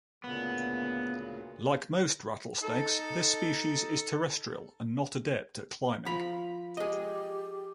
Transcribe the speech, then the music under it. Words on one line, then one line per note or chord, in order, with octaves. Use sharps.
Like most rattlesnakes, this species is terrestrial and not adept at climbing.
D2 A#2 C#3 B3
D#4 A4
F3 A#5 B5
G4 G#4 D#5